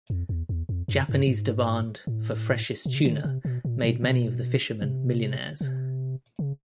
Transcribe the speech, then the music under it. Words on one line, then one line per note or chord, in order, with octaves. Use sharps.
Japanese demand for freshest tuna made many of the fishermen millionaires.
F2
E2
E2
F2
F#2
G2
G#2
A2
B2
C#3
D#3
D3
C3
B2
A#2
B2
B2
C3
C3
C#3